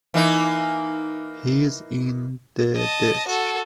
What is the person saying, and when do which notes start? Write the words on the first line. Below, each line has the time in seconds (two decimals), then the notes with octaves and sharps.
He's in the desk.
0.14 E3 A#3 D#4
2.76 D#5 A5
3.28 F#4 A4